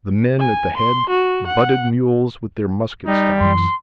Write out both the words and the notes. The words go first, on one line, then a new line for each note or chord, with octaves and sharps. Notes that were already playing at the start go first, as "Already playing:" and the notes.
The men at the head butted mules with their musket stocks.
G#5
C6
F#4
F#5
G3 D#4
F#2 E3 C6